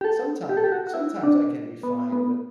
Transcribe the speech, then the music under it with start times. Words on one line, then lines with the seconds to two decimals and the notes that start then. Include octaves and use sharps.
Sometime sometimes I can be fine but,
0.01 G4
0.05 A4
0.49 G4
0.57 A4
0.64 G4
0.72 F#4
0.87 F#4
0.94 E4
1.23 D4
1.83 B3
2.12 B3